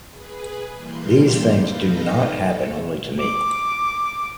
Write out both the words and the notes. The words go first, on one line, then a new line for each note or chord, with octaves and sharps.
These things do not happen only to me.
G#4 B4
E3 G3 A#3 C6 G6
D#4 A4 B4 F5 G6 A#6
A4
D6